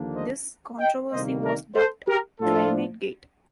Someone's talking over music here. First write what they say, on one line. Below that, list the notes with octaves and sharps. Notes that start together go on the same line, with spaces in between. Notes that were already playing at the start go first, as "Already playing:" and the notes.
This controversy was dubbed "Climategate".
Already playing: D#2 D3 F3 A#3 D4
C5 D#5
D#5 G5
D2 C3 D#3 G3 A#3 C5 D#5
A#4 D5
A4 C5
G4 A#4
A2 F3 A3 D4 F4 A4